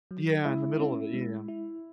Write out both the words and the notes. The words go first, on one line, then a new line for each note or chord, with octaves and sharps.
Yeah, in the middle of it. Yeah.
F#3
G#3 E4
C#4
G#3
E4